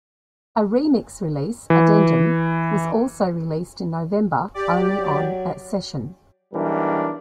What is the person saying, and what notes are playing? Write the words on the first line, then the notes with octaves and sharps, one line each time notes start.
A remix release, "Addendum", was also released in November only on Accession.
E3
G4 D5
F#3
B1 E3 G3 D4 A#4